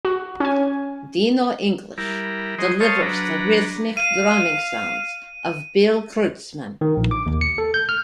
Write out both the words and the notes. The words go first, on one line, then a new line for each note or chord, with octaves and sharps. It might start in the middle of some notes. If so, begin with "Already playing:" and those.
Dino English delivers the rhythmic drumming sounds of Bill Kreutzmann.
F#4
C#4 G#5
G3 E4 A#4
F#3 G#4 C5 D#5
A4 C5 C#5 D#5 F5 A5
F#3 D4 B4 A#5
F5 D#7
D#3
A#1
D6
D#2
C#7
A4
G6
F6